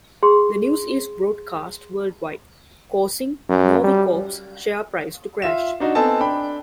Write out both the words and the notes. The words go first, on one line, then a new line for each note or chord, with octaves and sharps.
The news is broadcast worldwide, causing Novicorp's share price to crash.
G#4 C6
F#2
G3
F4 E5 E7
D4 D#4 F#4
B3 C4 A4 D#5 G#5 A5
D4 G5 B5